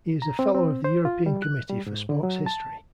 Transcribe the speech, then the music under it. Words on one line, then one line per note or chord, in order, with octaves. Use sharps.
He is a Fellow of the European committee for sports history.
A#5
C4
C4
C5
F4
G3
F#6
G3
G#2
D3
F#3
A5